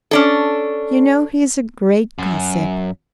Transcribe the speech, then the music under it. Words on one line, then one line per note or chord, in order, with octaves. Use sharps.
You know he is a great gossip.
C#4 D4 A4
F#2